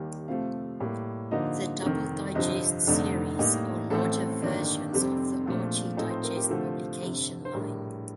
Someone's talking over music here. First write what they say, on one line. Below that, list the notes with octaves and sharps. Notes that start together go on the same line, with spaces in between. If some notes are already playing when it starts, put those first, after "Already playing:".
The Double Digest series are larger versions of the Archie Digest publication line.
Already playing: D#2 D#3 G3 A#3
F2 C3 F3 A3 F5
A2 G3 A#3
G2 D3 F3 A#3 D#4 D#5
F1 F2 D#3
G1 F2 C3 F3 D#5
F1 F2 D3 A3 D#4 D5
A2 G3 A#3 D#4
A1 A2 A3 C4 A4
G1 G2 D#3 A#3 D4
F1 F2 C3 G3 C4 G4
A#1 A#2 F3 A3
A2 F3 C4 D#4 A4
C5
A#4
G4
D2 C3 F3 A3 A4
G1 F2 C3
C5
A#1 A2 G3 A#4